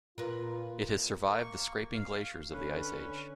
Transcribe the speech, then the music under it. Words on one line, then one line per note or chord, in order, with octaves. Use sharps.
It has survived the scraping glaciers of the ice age.
A#2 F4 A#4 B4
A#3 C#6
F5
D3 C#4 B4